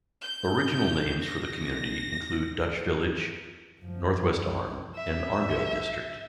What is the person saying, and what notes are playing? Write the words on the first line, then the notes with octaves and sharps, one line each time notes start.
Original names for the community included Dutch Village, North-West Arm, and Armdale District.
G6
A#6
F#2 F3
E5